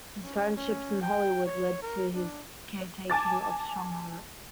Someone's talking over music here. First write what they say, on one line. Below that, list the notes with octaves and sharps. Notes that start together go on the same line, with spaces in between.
His friendships in Hollywood led to his care-taking of Strongheart.
C#4
C#4
G5
C#5
A#4
D4
G#5 A5 D6 A6